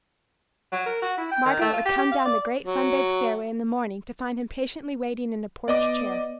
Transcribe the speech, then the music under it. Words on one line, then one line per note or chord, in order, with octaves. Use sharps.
Margaret would come down the great sun-bathed stairway in the morning to find him patiently waiting in a porch chair.
F#3
A#4
F#4
E4
G5
D#3
A3
F4
G4
G4
F5
D5
F#3
B3 D5 D#5 D6